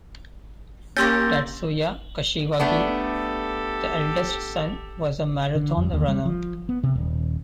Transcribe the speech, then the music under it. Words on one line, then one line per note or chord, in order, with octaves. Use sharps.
Tatsuya Kashiwagi, the eldest son, was a Marathon runner.
A#3 C#4 G4 C6 E6 G6 A6 A#6
A3 B3 D4 G4 A4
D3
F2
D#2
G3
F3
B3
C3
D#1